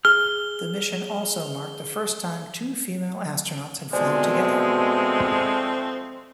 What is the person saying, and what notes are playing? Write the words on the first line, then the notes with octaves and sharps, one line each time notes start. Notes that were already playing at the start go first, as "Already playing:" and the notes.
The mission also marked the first time two female astronauts had flown together.
G#4 F6 G7
B2 F3 G#3 A3 C4 C5 D5 G#5